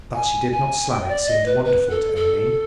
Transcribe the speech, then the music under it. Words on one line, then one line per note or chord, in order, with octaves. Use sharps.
That she did not slam it seemed wonderful to Emmeline.
G#5
G#5
G5
D5
D#5
B4
B4
A4
A4